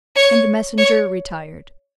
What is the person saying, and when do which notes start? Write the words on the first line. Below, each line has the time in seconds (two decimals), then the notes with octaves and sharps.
And the messenger retired.
0.16 C#5
0.78 C#5